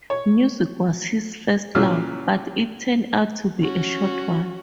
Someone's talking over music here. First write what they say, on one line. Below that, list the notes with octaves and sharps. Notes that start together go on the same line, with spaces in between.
Music was his first love, but it turned out to be a short one.
C#5
A#2 C#3 E3 F#3 E6 F6
C#4 F#4